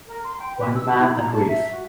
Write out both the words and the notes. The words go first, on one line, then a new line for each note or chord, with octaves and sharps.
One man agrees.
A#4
C6
G5
B4
E6
B5
E4
A#5
A5
E5
F#4